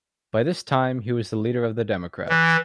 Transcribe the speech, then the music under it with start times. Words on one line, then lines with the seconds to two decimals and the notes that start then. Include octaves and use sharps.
By this time, he was leader of the Democrats.
2.29 E3